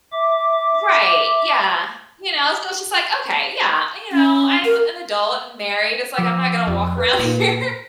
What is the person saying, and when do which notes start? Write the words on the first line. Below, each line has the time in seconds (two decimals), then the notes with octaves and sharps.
Right, yeah. You know, so it's just like, "Okay, yeah, you know, I'm an adult and married," it's like, "I'm not gonna walk around here
0.12 E5 D6
4.12 C#4
4.65 A#4
6.17 F3 D6 E6
6.67 F2
6.97 B4
7.19 A#2